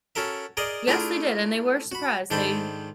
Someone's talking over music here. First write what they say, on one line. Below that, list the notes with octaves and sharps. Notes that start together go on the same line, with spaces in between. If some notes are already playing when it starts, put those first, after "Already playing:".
Yes, they did and they were surprised. They
C#4 F#4 A4 A#4 E5
G#4 A#4 D5 D#5
A3 D4 E4 F4 G#4 A#4
F#4 B5
G#2 D#3 D4 A4 C5 B5